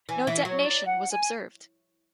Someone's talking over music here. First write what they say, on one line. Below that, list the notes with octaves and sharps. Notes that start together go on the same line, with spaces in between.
No detonation was observed.
E3 G#5
E3 E5
F#3 C#5
D5
F#5
G#5